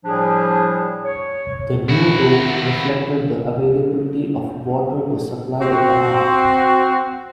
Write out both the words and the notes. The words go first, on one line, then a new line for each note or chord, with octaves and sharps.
The new route reflected the availability of water to supply the canal.
A2 F3 G3 D4 G#4
C#5
D#3 E4 F#4
C4 F#4